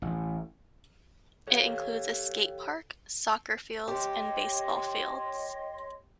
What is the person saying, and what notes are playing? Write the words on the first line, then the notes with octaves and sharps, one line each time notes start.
It includes a skate park, soccer fields, and baseball fields.
A1
G4 A4 C#5 F5
G4 C#5 D#5 C6